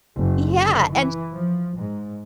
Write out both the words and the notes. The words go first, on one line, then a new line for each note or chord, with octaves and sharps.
Yeah, and
F#1
D3
E3
F3
G#2